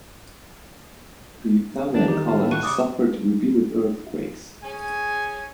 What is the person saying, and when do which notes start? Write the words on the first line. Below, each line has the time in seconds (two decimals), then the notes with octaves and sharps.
The Italian colony suffered repeated earthquakes.
1.94 D#3 D4 D5 A6
2.08 D#4 G4
2.28 A2 F4
2.51 F#5 C#6 F#6 D#7
2.63 C#3 D5 D6 D#6
4.64 C#4 G#4 G#5